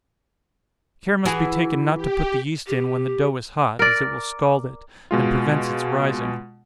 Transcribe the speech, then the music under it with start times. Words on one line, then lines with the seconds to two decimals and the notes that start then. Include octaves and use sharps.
Care must be taken not to put the yeast in when the dough is hot, as it will scald it, and prevents its rising.
1.25 E3 F#4 G#4
1.96 G4
2.67 G4
3.79 A#4 D5
5.11 B2 G#3 F4